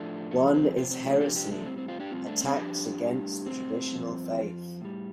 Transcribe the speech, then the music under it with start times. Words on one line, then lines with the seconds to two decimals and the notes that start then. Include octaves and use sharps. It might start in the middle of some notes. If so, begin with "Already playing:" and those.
One is heresy, attacks against the traditional Faith.
Already playing: A2 F3 A3 D4
0.31 G2 F3 A3
0.47 A3
0.54 C4
0.76 F2 C3 F3 C4
0.91 C4
1.06 A3 D4
1.21 F2 C3 F3 D4 G4
1.36 D4 G4
1.51 A3 D4
1.66 A2 G3 C4
1.78 C4
1.88 C4 F4
2.00 D4 G4
2.11 A2 G3 C4 F4
2.26 A3 D4
2.41 C4
2.56 F2 F3 D4 G4
3.01 A2 G3
3.46 A2 G3 C4
3.91 G2 F3
4.36 F2 F3
4.81 A2 G3